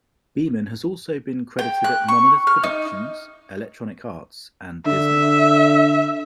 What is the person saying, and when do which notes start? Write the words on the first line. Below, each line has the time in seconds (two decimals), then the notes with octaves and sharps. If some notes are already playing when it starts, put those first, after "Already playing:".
Beeman has also been credited at Monolith Productions, Electronic Arts and Disney.
1.59 G5
1.84 F#6
2.08 C#6
2.47 F6
2.63 D#4
4.86 D3 E5